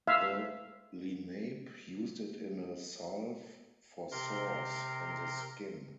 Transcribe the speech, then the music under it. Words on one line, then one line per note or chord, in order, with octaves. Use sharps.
The Lenape used it in a salve for sores on the skin.
E5 F5
C3 A#4 C6